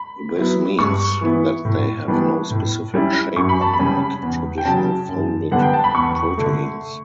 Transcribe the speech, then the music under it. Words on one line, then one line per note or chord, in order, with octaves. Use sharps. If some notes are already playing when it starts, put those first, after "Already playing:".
This means that they have no specific shape unlike traditional folded proteins.
Already playing: B5
F#3 B3 E4
G2 C#6
E3 B3 E4
A2
E3 G3 B3 D4
A2
G3 C#4 E4
F#2 C#6
B5
A5
B5
C#3 G3 C#4
E2
G5
C#3 F#3 C#4 A5
F#2
D3 G3 B3 D4 F#5
G5
A5
B5
E2 C#6
D3 A3